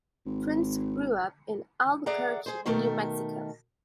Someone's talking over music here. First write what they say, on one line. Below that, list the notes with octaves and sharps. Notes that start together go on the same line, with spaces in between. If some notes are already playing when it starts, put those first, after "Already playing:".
Prinze grew up in Albuquerque, New Mexico.
G#1
G#4 A4 D5 E5 F#5 A#5
G#4 C5
B2 D#3 A3 A4 A#4